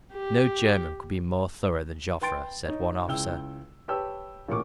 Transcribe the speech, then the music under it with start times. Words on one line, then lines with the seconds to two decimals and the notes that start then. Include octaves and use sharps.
"No German could be more thorough than Joffre," said one officer.
0.14 G4
2.21 B4 G5 C6 A6 D7
2.65 D#4 C#5
3.08 C#2 E4 G5 E6 G7
3.88 G4 B4 C#5 G5 A5 E6
4.48 A1 A#2 A#4 C#6 D6